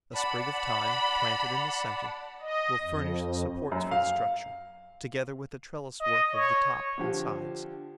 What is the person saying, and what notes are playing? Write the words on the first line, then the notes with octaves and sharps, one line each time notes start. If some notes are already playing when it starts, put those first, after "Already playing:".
A sprig of thyme, planted in the centre, will furnish supports for the structure, together with the trellis-work of the top and sides.
D5 F#5 A5 B5
D#5
F2
F#2
F5
D#5
C#5
D3 F3 G4